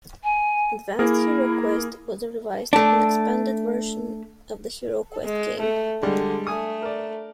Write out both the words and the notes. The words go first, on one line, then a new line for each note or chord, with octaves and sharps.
"Advanced HeroQuest" was a revised and expanded version of the HeroQuest game.
G#5
A#3 E4 G#4 A#4
A3 D4
G#3
A3 A4
D3 G3 G#3
A3 G#5 D#6
A#4 D5